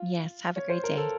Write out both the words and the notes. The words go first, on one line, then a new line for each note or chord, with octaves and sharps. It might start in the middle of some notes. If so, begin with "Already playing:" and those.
Yes, have a great day.
Already playing: F4
C#5
C5
A#4
A4